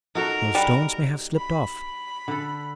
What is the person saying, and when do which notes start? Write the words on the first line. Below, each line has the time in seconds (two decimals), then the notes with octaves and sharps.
Those stones may have slipped off.
0.15 D#4 F#4 A4 A#4
0.55 G3 F#5
1.35 B5
2.28 D3 A4